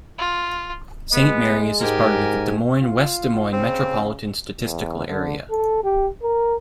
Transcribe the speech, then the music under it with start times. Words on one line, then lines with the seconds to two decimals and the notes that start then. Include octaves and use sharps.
Saint Marys is part of the Des Moines-West Des Moines Metropolitan Statistical Area.
0.18 F4
1.13 G#3 B3 D#5
1.81 G#2 G4 A#4 G#5
2.82 F4
3.53 C#3 C4
4.60 E2
5.08 D3
5.51 A4
5.84 G4
6.22 A#4